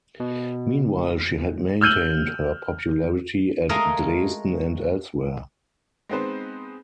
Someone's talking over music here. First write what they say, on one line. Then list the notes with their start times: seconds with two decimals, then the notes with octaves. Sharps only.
Meanwhile, she had maintained her popularity at Dresden and elsewhere.
0.20 B2
1.81 E6 F6 G6 D#7 F#7
3.69 G#3 A3 A#4 D#5 F5 G#5
6.09 G#3 B3 C4 D#4 B4 C5